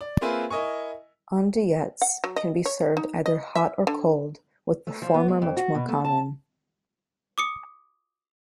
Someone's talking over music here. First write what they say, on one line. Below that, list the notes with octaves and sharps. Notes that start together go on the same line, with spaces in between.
Andouillettes can be served either hot or cold, with the former much more common.
D5
A#3 C4 F4 G#4 B4 E5
E4 A#4 D#5 G#5 C#6
F#5
F#3
D#5
C#5
D#4
D#5
E5
D3
A3
F3
B3
G#3
F2
F#4
B2
A3
A5
D6 D#6 C#7